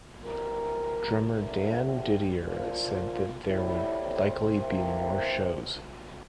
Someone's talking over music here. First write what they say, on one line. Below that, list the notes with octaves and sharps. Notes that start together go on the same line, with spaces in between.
Drummer Dan Didier said that there would likely be more shows.
C3 E3 G3 A#4
E2 D3 A3 C4 A#4
G4
A#2 F3 A#3 F4
A2 G3 C4 E4
C4
C3 E3 A#3
C4